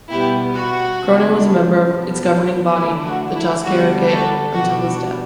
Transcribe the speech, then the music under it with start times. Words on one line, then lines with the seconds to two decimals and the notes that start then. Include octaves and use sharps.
Cronin was a member of its governing body, the Toscaireacht, until his death.
0.10 B2 G3 B3 E4 G4
0.55 F#4
0.99 C#3 F#3 B3 D4
1.88 B2 G3 B3 D4
2.76 D3 A3 D4 E4
3.05 F#4
3.35 E4
3.65 D3 G3 B3 D4 F#4
4.09 F#4 A4
4.53 B2 G3 B3 D4 F#4
4.83 F#4